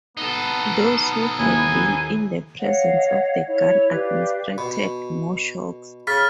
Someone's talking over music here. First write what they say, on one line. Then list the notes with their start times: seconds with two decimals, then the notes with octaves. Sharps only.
Those who had been in the presence of the gun administered more shocks.
0.17 B3 D#4 A4
1.38 D#2 E4 G#5
2.60 C#5 D#5 F5 F#5
3.47 E4 C#5
3.91 G4 B4 D5 F5
4.58 B2
6.07 C#3 F6 A6 B6